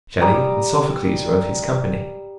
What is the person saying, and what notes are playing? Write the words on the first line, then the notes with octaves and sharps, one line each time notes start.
Shelley and Sophocles are of his company.
G3 A#5 D6 D#6